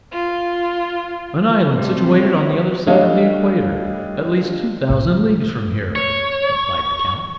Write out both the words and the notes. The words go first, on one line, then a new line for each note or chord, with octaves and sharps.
"An island situated on the other side of the equator, at least two thousand leagues from here," replied the count.
F4
G3 A3 C4
G3 B3 C#4 E4
G3 A3 D4 C#5 D#5 F5
A2 A3
C#5